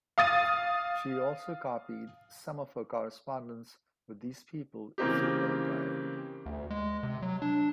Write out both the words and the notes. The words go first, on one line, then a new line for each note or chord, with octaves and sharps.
She also copied some of her correspondence with these people into her diary.
F5 D#6 A6 D#7
C#3 E3 A#3 C4 D#4 G4
D2
G#3
C3
F#3
D4